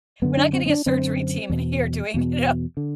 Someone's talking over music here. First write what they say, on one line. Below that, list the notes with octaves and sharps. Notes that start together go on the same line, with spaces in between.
We're not getting a surgery team in here doing you know
F#2 D3 B3
D4
C4
C4
D4
F#2 D3 C4
E2 B2
E2 B2
D3